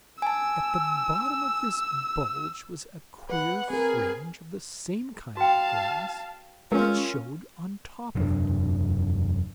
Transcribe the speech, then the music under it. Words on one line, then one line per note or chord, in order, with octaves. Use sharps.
At the bottom of this bulge was a queer fringe of the same kind of grass that showed on top of it.
G#5 A5 E6
B4 F#5
C4 G#4 A#4
F#4 F5 G5 A5
G#3 C#4 F4 A#4 C#5
E1 F#2 C3 D4